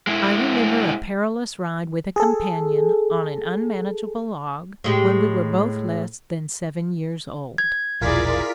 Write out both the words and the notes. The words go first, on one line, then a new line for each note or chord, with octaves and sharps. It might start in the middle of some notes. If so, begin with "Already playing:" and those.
I remember a perilous ride with a companion on an unmanageable log, when we were both less than seven years old.
G#3 E4
G#4 A4
A2 G#3 G4
G#6
E1 A#1 E4 F4 G#4 A#4 D5 B6